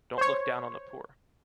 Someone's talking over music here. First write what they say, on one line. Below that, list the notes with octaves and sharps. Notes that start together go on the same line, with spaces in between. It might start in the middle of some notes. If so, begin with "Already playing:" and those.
Don’t look down on the poor.
C5 C#5